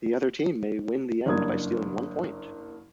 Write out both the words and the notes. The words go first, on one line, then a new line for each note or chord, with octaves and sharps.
The other team may win the end by stealing one point.
F#1 G2 A#3 D#6 G#6